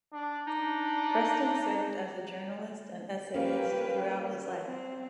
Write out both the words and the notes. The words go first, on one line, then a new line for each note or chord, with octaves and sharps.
Preston served as a journalist and essayist throughout his life.
D4
D4 D#4
G3 A#3 C#4 B4 G5
C4